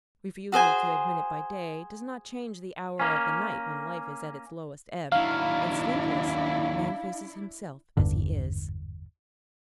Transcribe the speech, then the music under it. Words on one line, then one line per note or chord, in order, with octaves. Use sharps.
Refusal to admit it by day does not change the hour of the night when life is at its lowest ebb, and, sleepless, man faces himself as he is.
F#4 G#4 C5 G#5
A#3 C#4
D#2 F#3 D4 E4 F5
G#1 E2 G2 D3